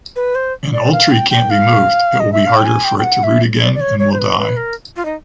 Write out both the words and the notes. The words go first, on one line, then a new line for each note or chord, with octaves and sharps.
An old tree can’t be moved, it will be harder for it to root again and will die.
B4
C5
D5
F5
G5
G5
F5
D#5
E5
F5
G5
G#5
G5
G5
F#5
E5
D5
D5
C#5
C#5
C5
B4
B4
A#4
F4
D#4